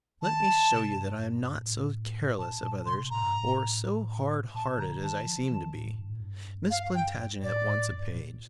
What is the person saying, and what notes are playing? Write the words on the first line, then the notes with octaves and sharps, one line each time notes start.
Let me show you that I am not so careless of others or so hard-hearted as I seem to be. Miss Plantagenet wants a page.
D#3 A5
C3
G2
G2
G2
A#2
A2
A#2 A5
A#2 A5
C3 C6
A2 A#5
G2
A2
A#2 A5
D3 A#5
D#3 A5
F3
D#3
A2
G2
A2
G2
F5
G5
A2 D5
F2
G2
A2
A#2